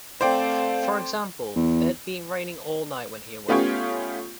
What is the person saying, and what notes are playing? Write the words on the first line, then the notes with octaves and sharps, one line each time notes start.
For example: It had been raining all night when he awoke.
A3 C4 C5 D5 F5 G5
E2
A3 B3 C#4 F4 G4 C#5